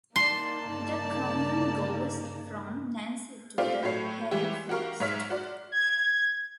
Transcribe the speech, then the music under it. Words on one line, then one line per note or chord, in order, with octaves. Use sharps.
The commune goes from Nancy to the Haye forest.
A#3 D#4 D5 A5 C6
G1 C#3
A3 C4 F4 G4 D5 F5
A2 F#3 A3 C#5 C7
E3 G3 G#3 E4 G4
F#4 G4 A#4 F5 C#6
G#2 G#3 C#5 E5 F6 B6
F#4 D5
G#6